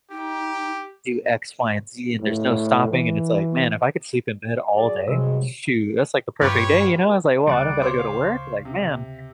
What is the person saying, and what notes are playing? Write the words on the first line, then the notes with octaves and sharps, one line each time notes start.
do X, Y, and Z, and there's no stopping," and it's like, "Man, if I could sleep in bed all day, shoot, that's like the perfect day," you know? I was like, "Well, I don't gotta go to work." Like, man,
D#4 G4
A2
E3
F#3 G#4 D5
G2 C3 F#3 G#3
G2 F4 G4 B4 C#5
D2 C#3 G3 D5 F#6
C5 C#5 D6
F5
C3